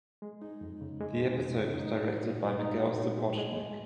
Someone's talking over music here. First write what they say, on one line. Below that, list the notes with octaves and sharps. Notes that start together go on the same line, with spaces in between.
The episode was directed by Miguel Sapochnik.
G#3
D#4
F2
C#3
G#3
D#4
F2
C#3
D#4
F#4
A#2
G#3
D#4
F#4
A#2
G#3
G#3
G#2